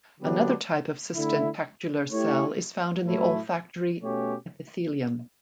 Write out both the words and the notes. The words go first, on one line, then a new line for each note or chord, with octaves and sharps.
Another type of sustentacular cell is found in the olfactory epithelium.
D3 F#3 B3 D4 G4
D3 A3 E4
A3 E4 G4 C#5
A2 F#3 A3 E4
B2 A3 C#4 G4 C#5